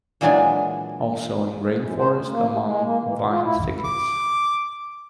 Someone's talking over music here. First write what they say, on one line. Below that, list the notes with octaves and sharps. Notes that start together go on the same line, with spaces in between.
Also in rainforest amongst vine thickets.
A#2 E3 F#3 G#3 D4 G#5
F#2
C5
D2
A#3
C3
G#3
A#3
E3
B2
F4
E4
D6